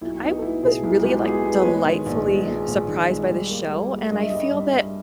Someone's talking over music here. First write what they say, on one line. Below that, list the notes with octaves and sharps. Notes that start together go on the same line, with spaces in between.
I was really, like, delightfully surprised by this show, and I feel that
B1 E4
B3 D#4
B3 E4
B2 G#4
B1 E4
G#3 G4
B3 G#4
B3
B4
G#3 C#5
D#3
A#1
G#3
G#3
A#1
D#3
G#3
G3
A#3
G3
A#3
G2 D#5
E5
G3 D#5
G2
G3